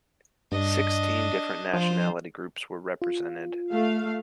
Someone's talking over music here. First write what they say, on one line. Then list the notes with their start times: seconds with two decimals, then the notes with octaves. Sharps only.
Sixteen different nationality groups were represented.
0.52 G2 D4 D#5
1.74 F3 F4 C5
3.02 F4
3.72 A3 F5